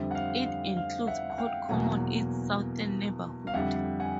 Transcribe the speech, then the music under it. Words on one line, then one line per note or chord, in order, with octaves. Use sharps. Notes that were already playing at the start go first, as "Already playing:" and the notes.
It includes Pot Common its southern neighbourhood.
Already playing: F2 D3 G3 C4 E5
F#5
F5
F5
F5
E5 F#5
F#5
F5 G5
E2 B2 F#3 A#3 F#5 G#5
F5
F2 D3 G3 E5 F#5
F#5 G#5